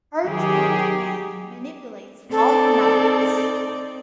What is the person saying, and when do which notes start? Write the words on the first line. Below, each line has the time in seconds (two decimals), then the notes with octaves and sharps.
Her trained hand manipulates all your members.
0.24 D#3 F#3 G4 G#4
2.31 C4 D#4 A4 D5